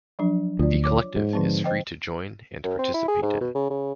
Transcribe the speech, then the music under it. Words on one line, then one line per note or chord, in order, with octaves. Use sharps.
The Collective is free to join and participate in.
F3 F#3 D4
D2 F4 D5
C#5 D6
G#2
D3 F3 C4
C5 D#5 G5
F#2
C4
E4
G#4
G#2
B2
C#3
C#3